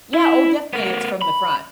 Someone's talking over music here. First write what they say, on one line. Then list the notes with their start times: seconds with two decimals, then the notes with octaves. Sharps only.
Yeah, oh, definitely, it's from the front.
0.14 E4
0.73 B3 A#4
1.22 B5